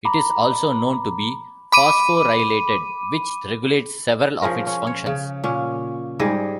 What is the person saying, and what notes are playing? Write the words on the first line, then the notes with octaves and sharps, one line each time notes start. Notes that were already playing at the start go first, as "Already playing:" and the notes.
It is also known to be phosphorylated which regulates several of its functions.
A#5 B5 D6
B5 D6 D#7
F3 C#4 G#4 A#4
C#4
C#5
C#3
A#2 C#4
G#2 G3 G#4 D#5